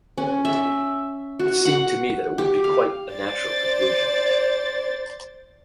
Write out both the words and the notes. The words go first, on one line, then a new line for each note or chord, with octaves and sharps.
It seemed to me that it would be quite a natural conclusion.
C#4
E5
F#4
F#5
G4
F5
C5 D5 A6